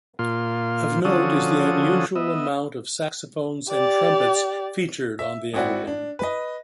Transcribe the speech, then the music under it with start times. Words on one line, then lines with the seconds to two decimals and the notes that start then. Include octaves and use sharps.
Of note is the unusual amount of saxophones and trumpets featured on the album.
0.19 A#2 F4 C6
1.05 D3 F3 C#4 F#4 A4 D#6
2.15 B3 D#5 E5
3.70 G4 D5
5.19 E5
5.53 G#1 C4 E4 F#4 D5 F#5
5.87 D4
6.19 B4 D#5